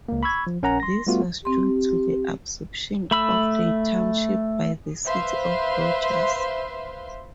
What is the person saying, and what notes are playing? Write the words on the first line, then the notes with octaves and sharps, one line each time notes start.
This was due to the absorption of the township by the city of Rogers.
C#2 A#3
B5 C#6 E6 G#6
F3
A#1 C#4 A#4 F#5 A#5
C6 A#6
G3 A3 B3 F4 F#4
C4 G4 C6
A3 B5 E6
B4 C5 E5 F5 C6